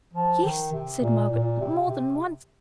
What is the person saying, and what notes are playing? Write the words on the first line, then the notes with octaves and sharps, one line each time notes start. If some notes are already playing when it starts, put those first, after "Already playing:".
'Yes,' said Margaret, 'more than once.
F3
D#3
C3
A#2
A#2
C3
C3